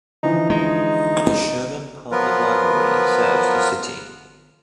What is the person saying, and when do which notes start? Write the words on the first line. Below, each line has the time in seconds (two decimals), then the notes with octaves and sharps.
The Sherman Public Library serves the city.
0.23 D3 E3 F3 D#4
0.50 G#3 D#4
2.12 F3 F#3 B3 F4 A#4 B4